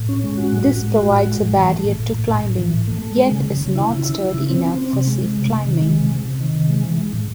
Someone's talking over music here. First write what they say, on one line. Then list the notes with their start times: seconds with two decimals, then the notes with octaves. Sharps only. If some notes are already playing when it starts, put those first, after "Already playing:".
This provides a barrier to climbing, yet is not sturdy enough for safe climbing.
Already playing: A2
0.09 C#4
0.23 G#3
0.38 F#4
0.53 A2
0.67 A2
0.82 G#3
0.96 F#4
1.11 A2
1.26 G#3
1.41 A2
1.55 E3
1.70 A3
1.85 A2
1.99 A2
2.14 A2
2.29 A2
2.44 A2
2.58 E3
2.73 A2
2.88 A3
3.02 A3
3.17 G#3
3.31 C#3
3.46 C#3
3.61 C#3
3.75 E4
3.90 C#3
4.05 E4
4.20 E4
4.34 C#3
4.49 C4
4.64 C4
4.78 C4
4.93 C3
5.07 G#3
5.23 G#3
5.37 C3
5.52 C3
5.67 D#3
5.81 G#3
5.96 C3
6.11 C3
6.25 C3
6.41 D#3
6.55 C3
6.69 G#3
6.83 E3
6.98 G#3
7.13 A2